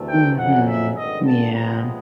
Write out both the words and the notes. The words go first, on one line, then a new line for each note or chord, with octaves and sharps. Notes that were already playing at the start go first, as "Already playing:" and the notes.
Mhm. Yeah.
Already playing: D2 C3 E3 A3
G5
F2 C#3 F#3 F#5
E5
G#1 G2 D3 D#5
A5
C#2 C3 F3 G#3 B3 A#5